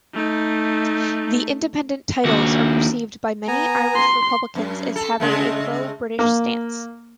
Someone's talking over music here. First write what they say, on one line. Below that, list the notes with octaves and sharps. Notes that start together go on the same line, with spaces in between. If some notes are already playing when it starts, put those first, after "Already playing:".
The "Independent" titles are perceived by many Irish republicans as having a pro-British stance.
A3 D#4
D#2 F#4
B3 G#5 A#5
C6
F#2
A4
C#3 G#3 A3
A#3